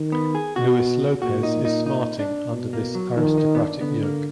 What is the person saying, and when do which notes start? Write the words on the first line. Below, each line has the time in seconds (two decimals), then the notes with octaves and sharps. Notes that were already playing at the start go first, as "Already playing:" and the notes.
Luis Lopez is smarting under this aristocratic yoke.
Already playing: D#3
0.12 B3
0.35 G#4
0.56 B2 F#4
1.21 A#2 F#4
1.43 D#4
1.65 D#4
1.86 D#4
2.19 D4
2.51 B2
2.73 A#3
2.95 F#3
3.17 D#3 F3
3.38 D#4
3.55 B3
3.60 D4
3.81 D3 B3
4.03 A#3